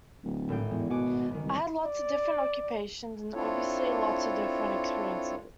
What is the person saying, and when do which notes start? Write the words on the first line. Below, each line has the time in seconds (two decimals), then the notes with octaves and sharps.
I had lots of different occupations and obviously lots of different experiences.
0.24 D1
0.48 G#1 A2 G5
0.71 E2 G#3
0.90 B2 F#5 G#5 D6
1.31 F#1 D#3
1.43 C2
1.85 D5
3.33 C4 D4 E4 F4 A4 C#5